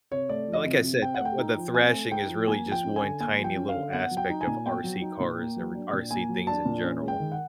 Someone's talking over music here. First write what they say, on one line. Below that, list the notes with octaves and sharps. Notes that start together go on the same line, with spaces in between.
like I said, the with the thrashing is really just one tiny little aspect of RC cars or RC things in general.
C3 C#5
A3 D5
F3
D#5
C3
C3
C4 G5
F#5
A3 G5
D#4
F3
C4 G#5
A3
D#4 G5
F3
A#3 G#5
F3
G5
C#4
G#5
D3
A#3 G#5
F3
G5
C#4
F5
D3
B3 F#5
F#3
G5
D#4
G#5
A#2
B3 G5
F#3
D#4
A#2
A#3
F#3
D4
A#2
A#3 G#5
F#3
D4 A5
A#2
C#4
G#3
G5
D#3
F#5